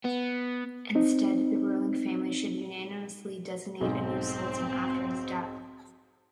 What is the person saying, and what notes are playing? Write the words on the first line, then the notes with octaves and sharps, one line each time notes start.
Instead, the ruling family should unanimously designate a new Sultan after his death.
B3
C4 D#4
B1 F2 G#2 C4